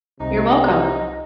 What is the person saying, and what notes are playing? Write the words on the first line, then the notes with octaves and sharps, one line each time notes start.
You're welcome.
C2 C3 D#4 D#5